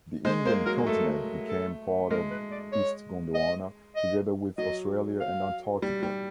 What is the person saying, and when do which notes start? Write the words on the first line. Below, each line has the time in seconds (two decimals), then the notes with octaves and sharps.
The Indian continent became part of East Gondwana, together with Australia and Antarctica.
0.25 G#3 C5
0.45 A#3 C5
0.66 F#3 A#4
0.78 A#3
0.87 A3 A4
1.49 A4
2.11 G#3 A#4
2.31 B4
2.51 D5
2.72 C#5
3.35 D#5
3.96 D#5
4.58 F#3 D#5
5.20 F5
5.82 G3
6.03 G3